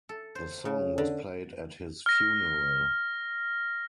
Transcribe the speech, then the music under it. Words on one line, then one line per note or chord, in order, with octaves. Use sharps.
The song was played at his funeral.
A4
C5
C#3
D3
F6 A#6